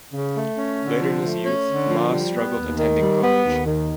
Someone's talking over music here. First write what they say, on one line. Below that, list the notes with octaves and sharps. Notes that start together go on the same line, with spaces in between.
Later in his youth, Ma struggled attending college.
C#3
A3
C#4
D3
F3
A3
C#4
D3
F3
G3
B3
D#2
D#3
G3
B3
D#2
D#3